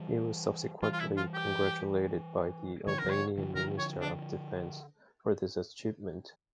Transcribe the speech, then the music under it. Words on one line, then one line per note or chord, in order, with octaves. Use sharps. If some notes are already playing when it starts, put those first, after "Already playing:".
He was subsequently congratulated by the Albanian Minister of Defence for this achievement.
Already playing: E3 G3
E3 G3 F4
F4
E4
F4
G4
D3 F3 C#5
A#4
D3 F3
C#5
D3 F3
D3 F3 A#4
C#5
D4